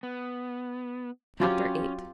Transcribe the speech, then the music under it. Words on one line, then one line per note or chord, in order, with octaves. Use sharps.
Chapter VIII.
B3
F#3 C4 C#4 F4 G4